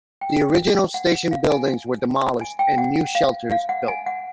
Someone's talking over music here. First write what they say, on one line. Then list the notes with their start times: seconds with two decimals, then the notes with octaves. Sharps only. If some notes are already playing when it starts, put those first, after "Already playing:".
The original station buildings were demolished and new shelters built.
0.21 G5
0.94 F#5
1.31 F5
1.50 G#5
2.41 G#5
2.59 G5
2.78 F#5
3.15 F5
3.51 F5
3.69 F#5
3.88 G#5
4.06 F#5